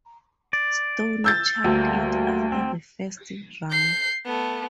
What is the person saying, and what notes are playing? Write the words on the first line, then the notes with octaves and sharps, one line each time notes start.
Stone chucked it after the first round.
D5
E6 G6 A6
D2 G3 A3 A#3
C4
G6 C7
A3 B3